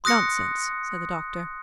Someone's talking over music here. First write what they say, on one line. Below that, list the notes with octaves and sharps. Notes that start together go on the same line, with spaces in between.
"Nonsense," said the Doctor.
C6 D#6 F#6 A#6 C#7